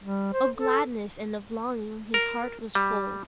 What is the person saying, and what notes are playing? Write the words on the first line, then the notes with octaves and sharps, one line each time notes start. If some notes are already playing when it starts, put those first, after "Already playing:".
Of gladness and of longing his heart was full.
G3
C5
A4
A#4
G3